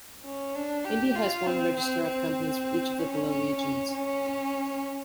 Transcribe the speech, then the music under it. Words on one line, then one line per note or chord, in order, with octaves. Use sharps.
India has one registrar of companies for each of the below regions.
C#4
D4
G4
F4
C4
C4
C4
C#4
C#4
C#4
C#4